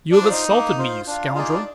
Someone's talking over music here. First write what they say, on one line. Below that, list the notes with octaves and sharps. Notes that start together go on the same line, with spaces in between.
"You have assaulted me, you scoundrel!"
D4
F4 C5
D#4
A#3
F4 C5
D4 F4
D#4 F4 G#4 D5
D4